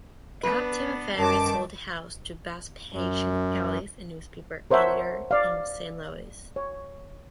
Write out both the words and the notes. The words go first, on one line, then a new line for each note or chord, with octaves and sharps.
Captain Ferris sold the house to Vespasian Ellis, a newspaper editor in Saint Louis.
B3 D4 B4
F#2 D#3 G3 A5 D6 D7
F#2
A#4 C5 C#5 E5 F#5 A5
D5 F5
C#5